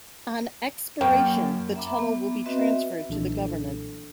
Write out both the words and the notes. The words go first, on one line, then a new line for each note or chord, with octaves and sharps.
On expiration, the tunnel will be transferred to the Government.
F#2 A#3 G5
E5 A#5 B5 D6
B3
C4 F#4 B4 D#5 E5
B1 A#2 E3 D4 A4